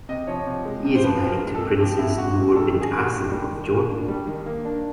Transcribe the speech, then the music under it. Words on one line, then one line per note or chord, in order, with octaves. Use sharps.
He is married to Princess Noor bint Asem of Jordan.
C3 D#5
F3 C#5
C3
G#3
C3
C5
F3 B4
C3
A#4
G#3
A4
C3
F3 G4
C3 E4
G#3 F#4
C3
G3 A4
D#3
G#4
A#3 F#4
G4
D4
G3
D#3
A#3
D4
G3
D#3
A#3
D4